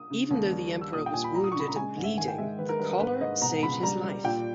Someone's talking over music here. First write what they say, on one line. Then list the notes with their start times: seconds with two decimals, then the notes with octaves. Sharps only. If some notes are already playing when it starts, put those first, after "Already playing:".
Even though the Emperor was wounded and bleeding, the collar saved his life.
Already playing: D#6
0.10 C#3
0.31 D#2
0.51 G3
0.72 G3
0.81 E6
0.93 A#2 D#6
1.06 G5
1.14 A#2 G#5
1.24 B5
1.34 G3 A#5
1.44 D#6
1.52 C#6
1.55 C#3 B5
1.68 A#5
1.76 G#3 G#5
1.97 G#2
2.04 E5
2.17 D#3 G#5
2.28 G5
2.38 G#3 E5
2.59 D#3 B4
2.69 A#4
2.79 G3 B4
2.89 A#4
3.00 G#2 B4
3.21 G#2 D#5
3.41 B2 A#5
3.62 C#2 B5
3.83 G3 A#5
4.03 G3
4.24 A#2 G5